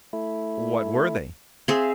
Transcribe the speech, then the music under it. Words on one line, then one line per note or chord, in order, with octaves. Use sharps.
"What were they?"
A3 E4
C4 G#4 E5 F5